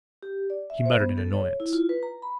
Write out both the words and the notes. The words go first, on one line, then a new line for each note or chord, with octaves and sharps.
He muttered in annoyance.
G4
D5
E5
C5
B3
A4
C#5
E4
F4
B4
A#5
B5